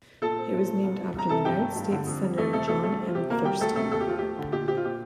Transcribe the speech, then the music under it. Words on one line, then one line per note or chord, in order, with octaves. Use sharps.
It was named after the United States Senator John M. Thurston.
A#2 A4 A5
C4
A#2
A3
C2
F3
C2 A#5
C3 A4 A5
G2 G4 G5
A3
G2
D3
F2
G3
F2 A3 A4
C3 A3 A4
D2 A3 A4
G3 A3 A4
C4
F4
C3 G4
D2 A#3 A#4
G3 G4 G5
D2 A3 A4
C3 A3 A4
D#2 A4
G4
F3 F4
A3 G4
D3
A#2 G4
C4 G4
F4
A#2 G4